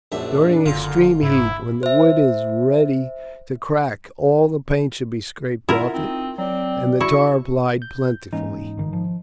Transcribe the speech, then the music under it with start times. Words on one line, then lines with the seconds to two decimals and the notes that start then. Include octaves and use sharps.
During extreme heat, when the wood is ready to crack, all the paint should be scraped off it, and the tar applied plentifully.
0.12 A#1 F#2 D4 E5
0.66 F#1 A#2 D3 F4 F5
1.23 G#2 E4
1.83 C5 E5
5.69 E4 F4 A#4 F#5
5.94 C4 D#4
6.38 F#3 C4 D5
7.01 E4 F#4 C#6
7.82 G6
8.33 G#2 E3 A#3 C#4 D#4
8.77 G1 A#2 D#3
8.93 F3